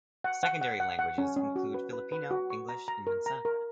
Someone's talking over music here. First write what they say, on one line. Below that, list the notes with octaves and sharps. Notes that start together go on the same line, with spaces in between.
Secondary languages include Filipino, English and Mansaka.
F#5
F#5
F#5
F#5
F#5
C#4
C#4
F#4
B4
B4
B4
F#4
C#6
A#5
A#5
A#4
A#5
A#4